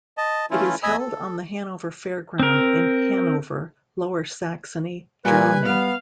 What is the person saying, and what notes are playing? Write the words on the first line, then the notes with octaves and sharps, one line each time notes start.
It is held on the Hanover Fairground in Hanover, Lower Saxony, Germany.
D#5 A5
E3 A3 C#4 E4 F4
E2 D#5 G#5 B5 D#6 E6
A4
C4 A#4
A#2 G3 B4 G#5
B3 F5